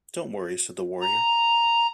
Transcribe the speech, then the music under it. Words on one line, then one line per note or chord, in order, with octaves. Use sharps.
"Don't worry" said the warrior.
A#5